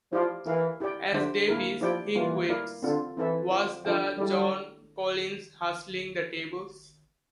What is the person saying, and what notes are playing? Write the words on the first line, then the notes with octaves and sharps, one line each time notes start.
As Davis he quips: Was that Joan Collins hustling the tables?
F3 E4 G4 D5 F5
E3 E4 A#4 F5
E4 G4 D5 G5
D3 D4 G4 C5 E5
A#3 E4 A#4
F3 E4 G4 D5 G5
E3 G3 A#3 F4
E4 A#4 D5 F5
D3 C4 F4 A4
E3 C4 E4 A4 C5 E5
F4 C5 G5
F3 D4 A4 E5 G5
G3 E4 A4 D5